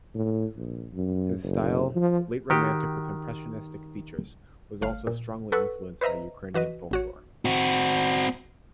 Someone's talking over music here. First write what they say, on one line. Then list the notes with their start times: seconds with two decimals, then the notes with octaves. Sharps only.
His style, late romantic with impressionistic features, was also strongly influenced by Ukrainian folklore.
0.15 A2
0.57 A#1
0.94 F#2
1.43 F#1
1.96 F3
2.50 D#3 F#4 G4
4.82 G1 A3 F5 F6
5.07 A#2
5.52 A4 B4 F#5 C#6 E6
6.01 B4 C5 D#5 E5 A#5
6.54 E3 F#4 B4 D#5
6.91 A1 F#4 C#5
7.45 C4 F#4